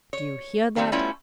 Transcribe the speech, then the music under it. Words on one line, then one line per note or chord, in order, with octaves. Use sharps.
Do you hear that?
C#5
D#3 G3 A3 C4
G3 A3 B3 C#4 E4 F4